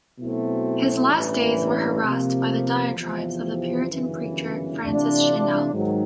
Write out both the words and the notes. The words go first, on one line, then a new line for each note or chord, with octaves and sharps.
His last days were harassed by the diatribes of the Puritan preacher, Francis Cheynell.
B2 F#3 A3 C4 E4
A1 G2 E3
C3 F3 A#3
E2 C3 F3
G1 F#2 C#3 E3
C3 E3 A3 D4 F4
G#2 D#3 F#3